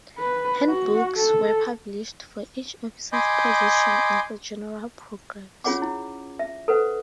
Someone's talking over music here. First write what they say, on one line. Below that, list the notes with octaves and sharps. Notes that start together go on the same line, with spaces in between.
Handbooks were published for each officer position and for general programs.
B4
F#4
A4
D#5 G#5 B5 C6 D6 G6
C#4 F4 G#4 C#5 F#5 D6
E4
E5
A4 B4 C5 F#5